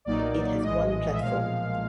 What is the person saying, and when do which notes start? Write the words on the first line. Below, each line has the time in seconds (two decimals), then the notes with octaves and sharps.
It has One platform.
0.05 B1 A#2 F#3 A#3 D#4 D5
0.63 A#1 A2 E3 G#3 D#5
1.12 E5
1.20 B1 A#2 F3 G#3 F5